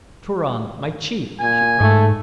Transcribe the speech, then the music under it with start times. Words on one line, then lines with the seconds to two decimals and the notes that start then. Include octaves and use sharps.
"Turan, my chief!" she cried.
1.40 A#2 G#5
1.81 G#2 A3